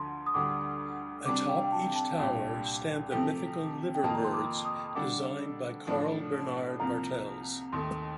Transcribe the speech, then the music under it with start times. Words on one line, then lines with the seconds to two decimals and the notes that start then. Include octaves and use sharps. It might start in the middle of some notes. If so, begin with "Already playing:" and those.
Atop each tower stand the mythical Liver Birds, designed by Carl Bernard Bartels.
Already playing: D2 D3 F3 A#5 C6
0.27 D#6
0.34 D2 D3 G3 D4 D6
1.26 C3 G3 D4 D6
1.49 G5
1.56 F5
1.64 G5
1.72 A5
1.96 A5
2.13 F5
2.19 C2 A#2 G3 D4 G4 G5
3.11 C3 F3 A3 C4 G4
3.95 G5
4.03 F2 D#3 A#3 F4 A5
4.15 A#5
4.24 C6
4.34 D6
4.65 D#6
4.95 D3 G3 D4 A4 D6
5.87 A2 F3 A3 D4
6.80 C2 C3 F3 A#3 F4 A#5
7.72 D#2 D#3 A3 C6